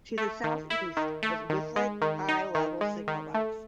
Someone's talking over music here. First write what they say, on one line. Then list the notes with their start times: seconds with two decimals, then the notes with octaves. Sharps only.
To the southeast was Whifflet High Level signal box.
0.18 A3
0.44 D#3
0.70 E4
0.97 D#3
1.23 A3
1.50 D#3
1.76 G#3
2.02 D#3
2.29 D#4
2.55 D#3
2.81 G#3
3.08 D#3
3.34 A3